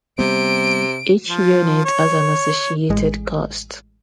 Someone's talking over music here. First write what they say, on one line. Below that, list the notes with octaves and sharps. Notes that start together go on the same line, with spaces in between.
Each unit has an associated cost.
C3 G3 B3 D7
F3
C#5
A1 G#3